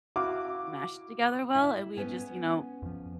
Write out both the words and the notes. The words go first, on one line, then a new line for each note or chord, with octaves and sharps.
mesh together well, and we just you know,
E4 F#4 F5 D6
E4
B3 C#4 G#5
F2 F3